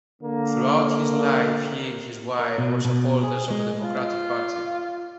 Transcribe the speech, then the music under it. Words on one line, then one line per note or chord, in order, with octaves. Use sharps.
Throughout his life, he and his wife were supporters of the Democratic Party.
D3 A#3
A#4
B2
B2
G#4
G#3
F4